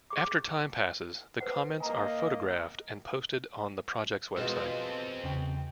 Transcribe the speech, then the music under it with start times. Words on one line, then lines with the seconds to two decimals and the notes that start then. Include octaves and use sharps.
After time passes, the comments are photographed and posted on the project's website.
0.10 G#4 C#6 D6
1.40 B4 C5 F#5
1.80 A#3 D#5 G#5 A#5
4.37 B2 G#3 C4 F4 A4
5.24 E2 C#3 G5